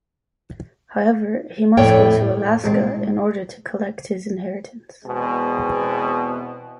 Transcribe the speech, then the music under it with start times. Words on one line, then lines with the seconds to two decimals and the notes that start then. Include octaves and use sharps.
However, he must go to Alaska in order to collect his inheritance.
1.77 F2 A2 A4 C#5 D5 G5
2.64 A1 G#3 C4
5.05 E2 B2 G#3 C4